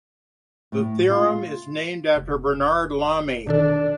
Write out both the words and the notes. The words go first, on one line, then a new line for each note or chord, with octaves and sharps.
The theorem is named after Bernard Lamy.
A2
F4
F1
B2 D#3 D4 A4